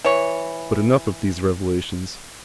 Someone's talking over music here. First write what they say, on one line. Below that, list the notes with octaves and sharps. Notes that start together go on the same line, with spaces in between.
But enough of these revelations.
E3 C#5